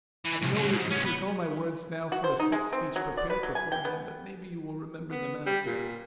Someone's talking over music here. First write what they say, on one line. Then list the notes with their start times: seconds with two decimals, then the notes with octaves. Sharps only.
I know that you take all my words now for a set speech prepared beforehand, but maybe you will remember them after.
0.25 E3
0.42 A2 C3
0.55 C#2 F#3
0.71 G#2
0.90 B1 C#4
1.05 B3
2.12 F#4
2.24 C5
2.40 D#4
2.52 G#3
2.73 C4
2.96 F#3
3.17 D5
3.30 B4
3.43 F#3
3.55 G#5
3.72 G5
3.85 B3
5.12 B3
5.46 G3
5.67 A#2